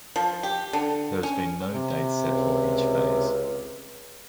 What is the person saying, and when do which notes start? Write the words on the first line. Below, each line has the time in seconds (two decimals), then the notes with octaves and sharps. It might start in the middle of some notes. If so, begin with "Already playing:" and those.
There has been no date set for each phase.
0.16 F3
0.43 G4
0.73 D3
1.23 C#4
1.73 C3
2.27 C#2